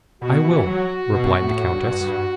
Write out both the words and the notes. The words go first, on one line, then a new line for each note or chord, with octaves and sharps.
"I will," replied the countess.
B2 F#4
E3
F#3
B2
A2
G2
G2